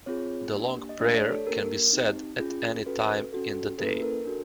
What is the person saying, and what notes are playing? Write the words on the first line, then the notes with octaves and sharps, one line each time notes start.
The long prayer can be said at any time in the day.
C4 F4 G#4 C#5
A#3 D4 G4
D#5
A3 D4 G4 D5
C#5
A4
A#3 D4 G4 A#4
C4 D#4 G4
C#4 F4 G#4
C#4 F#4 A4 B4
C#4 F#4 A4
A#3 C#4 E4 A4 B4
A#4
D4 F#4 A4